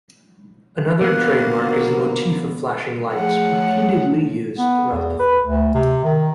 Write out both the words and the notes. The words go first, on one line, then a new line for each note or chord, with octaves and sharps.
Another trademark is the motif of flashing lights, repeatedly used throughout the film.
D#2 D3 F3 A#3 B3 F#4 F#6
F3 A3 G#4 C#5 F#5
B3
E2
B4
D2
C3
D#3